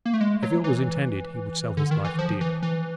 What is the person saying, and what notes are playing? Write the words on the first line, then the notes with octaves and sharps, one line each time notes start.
If ill was intended, he would sell his life dear.
A#3
A3
G#3
F#3
E3
D3
D#3
E3
F3
E3
E3